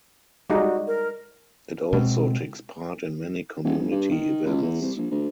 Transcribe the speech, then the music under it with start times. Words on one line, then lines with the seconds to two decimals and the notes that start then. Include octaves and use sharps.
It also takes part in many community events.
0.50 G3 G#3 D#4 F#4
0.87 A#4
1.93 B2 G#3 B3 C4
3.64 D#1
3.78 G1
3.91 G2
4.11 D#3
4.45 C#2
4.62 E2
4.82 C2
4.97 A#1
5.11 D2